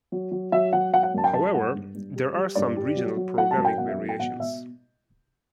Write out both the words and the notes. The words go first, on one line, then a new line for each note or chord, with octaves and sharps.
However, there are some regional programming variations.
F#3
F#3
F#3 E5
F#3 F#5
F#3 F#5
F#5
F#2 A5
G5
F#3 A5
G2 F#5
G2
G2
G3
G3
G2 D5
G3
F#3
F#3
F#3 F#5
A5
F#2
G5
B2 F#5
E5
F#3
G5
B2 F#5
B2 E5